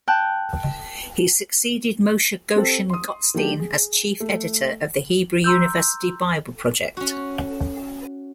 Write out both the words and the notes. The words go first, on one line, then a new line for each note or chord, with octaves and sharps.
He succeeded Moshe Goshen-Gottstein as chief editor of the Hebrew University Bible Project.
G5 A5 F#6
C4 G4 A4 C5
C6 D#6
D#3 F#3 A3 D4 G4
G#4
A3
A#5 C6 E6 G6
C#4 F#4